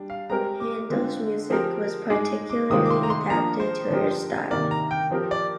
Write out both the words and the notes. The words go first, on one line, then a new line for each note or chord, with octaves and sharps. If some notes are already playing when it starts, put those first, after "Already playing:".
Handel's music was particularly adapted to her style.
Already playing: G3 D4
F5
G#3 C4 G4 A#4 A#5
D6
D3 G#3 C4 F4
F3 C4 G4 A#4
G#3 D#4 G#4 D6
D6
C3 D#3 G#3 C4 F4 D#6
D6
C6
A#5
C6
F3 A#3 D4 A#5
C5
D3 F3 C4 G4 A#4
C3 D#3 A#3 D5
A#5
G5
F3 C4 G4 A#4
D5